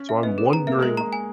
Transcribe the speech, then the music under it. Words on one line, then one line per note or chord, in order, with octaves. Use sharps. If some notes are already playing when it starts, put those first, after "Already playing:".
So, I'm wondering
Already playing: C#4
E5
B3 D#5
G#4
A#5
A#3 E5
G#3 A#4
A#3
G#3 A#5
G#5